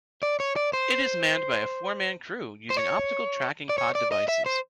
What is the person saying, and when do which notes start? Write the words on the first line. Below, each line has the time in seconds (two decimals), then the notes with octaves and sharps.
It is manned by a four-man crew using Optical Tracking Pod devices.
0.23 D5
0.40 C#5
0.56 D5
0.73 C5
2.70 C5
2.77 C#5
3.70 D5
3.78 C#5
3.95 D5
4.12 D#5
4.29 E5
4.46 C5